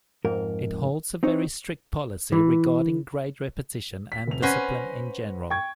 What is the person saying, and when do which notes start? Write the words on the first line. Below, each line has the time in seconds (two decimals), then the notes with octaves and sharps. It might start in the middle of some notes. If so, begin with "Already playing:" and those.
It holds a very strict policy regarding grade repetition and discipline in general.
0.25 F2 G#2 A#4
1.23 C4 D#4 C#5
2.32 E3
4.12 B6
4.27 F1 F7
4.42 C#4 B4 C5 F#5 A#6 D#7
5.50 G5 C#6 G#6